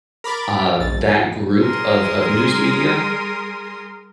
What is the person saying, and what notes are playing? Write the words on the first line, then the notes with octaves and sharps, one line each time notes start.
uh, that group of of news media,
A#4 B5 D6 A6
A#1 A6
G3 G#4 A#4 C6 D#6